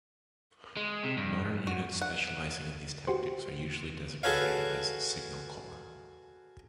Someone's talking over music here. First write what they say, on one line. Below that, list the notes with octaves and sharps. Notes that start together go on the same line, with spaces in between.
Modern units specializing in these tactics are usually designated as "signal corps".
G#3
C3
G2
F#4
F#5
F#4 G4 C5
F#4 G#4 A4 B4 C#5 F5